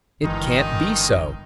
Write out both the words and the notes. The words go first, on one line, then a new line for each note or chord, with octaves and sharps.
It can't be so!
G1 G2 D#3 E3 G#3 D#4